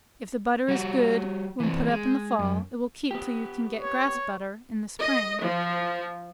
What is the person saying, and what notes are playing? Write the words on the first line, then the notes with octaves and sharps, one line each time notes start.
If the butter is good when put up in the fall, it will keep till you can get grass butter, in the spring.
G3 F#4
E3 C4
G#3
F#2
B3 G4
C#5
D#5
F3